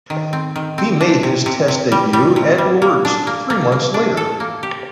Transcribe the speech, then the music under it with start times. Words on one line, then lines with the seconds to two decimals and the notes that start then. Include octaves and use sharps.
He made his Test debut at Lord's three months later.
0.10 D#3
0.33 C4
0.56 D#3
0.78 C4
1.01 D4
1.23 C3
1.46 C3
1.68 C3
1.92 G3
2.13 G3
2.36 C3
2.58 G3
2.82 A#3
3.05 D4
3.27 A#3
3.50 A#3
3.72 A#3
3.94 D4
4.17 A4
4.40 A#3
4.63 G4